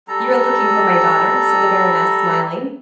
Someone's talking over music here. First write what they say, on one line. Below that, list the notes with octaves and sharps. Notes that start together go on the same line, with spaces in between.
"You are looking for my daughter?" said the baroness, smiling.
G3 A4 A#5